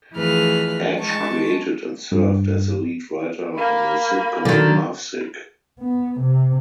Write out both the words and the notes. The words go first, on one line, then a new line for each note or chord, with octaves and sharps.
Edge created and served as the lead writer on the sitcom "Lovesick".
F2 E3 A3 G#4 B4 F6
G#3 A5 C#6
G2
A#3 B5
D3 D#3 F#3
B3
C3